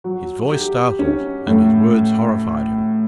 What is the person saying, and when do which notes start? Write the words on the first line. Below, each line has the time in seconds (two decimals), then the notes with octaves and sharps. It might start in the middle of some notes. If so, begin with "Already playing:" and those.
His voice startled and his words horrified him.
0.04 F#3
0.51 G4
0.99 C#4
1.47 A2